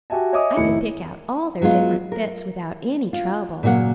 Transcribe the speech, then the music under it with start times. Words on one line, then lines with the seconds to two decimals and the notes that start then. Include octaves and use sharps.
I could pick out all their different fits without any trouble.
0.10 F#4 G4 E5 G#5 A5
0.33 C#5 D#5 E5 G#5 D6 D#6
0.56 F1 A2 D#3 E4 C#7
1.62 F#3 G#3 B3 F4
2.12 A#4
3.13 F4
3.63 A#2 C#3 F#3 A#3 F#5